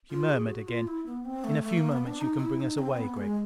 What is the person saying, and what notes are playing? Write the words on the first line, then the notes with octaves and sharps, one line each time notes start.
She murmured again, "In a few moments you can bring us away, Gregg."
F4
G#4
F#4
F4
E4
B3
C4
A3
A3
A#3
B3
D4
D#4
E4
D#4
C4
B3
G#3